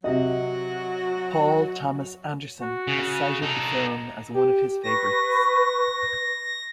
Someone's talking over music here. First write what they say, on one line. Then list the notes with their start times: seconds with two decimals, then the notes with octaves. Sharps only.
Paul Thomas Anderson has cited the film as one of his favorites.
0.04 C3 F#3 F#4 D#5
2.61 F#4
2.87 C#3
3.43 D#4 A4
4.34 G4
4.83 B4 C#6 A#6